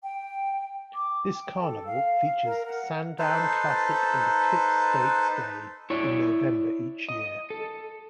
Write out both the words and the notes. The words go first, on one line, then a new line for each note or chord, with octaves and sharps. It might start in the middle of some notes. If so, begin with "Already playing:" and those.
This carnival features Sandown Classic and Eclipse Stakes Day in November each year.
G5
D6
G5
A4
F5
A#4
F#5
D#4 A4 B4 C5
E4 C#5 D5
D#5
A4